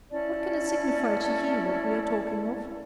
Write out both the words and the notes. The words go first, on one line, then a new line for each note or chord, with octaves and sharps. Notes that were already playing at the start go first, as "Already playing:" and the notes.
What can it signify to you, what we are talking of.
C#4 E4 D5 A5